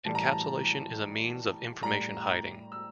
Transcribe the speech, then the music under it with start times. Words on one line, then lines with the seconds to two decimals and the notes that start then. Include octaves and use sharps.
Encapsulation is a means of information hiding.
0.05 A2 E3 G3 A5
0.15 A#5
0.25 A5
1.83 A2 G3 A#5
2.72 E6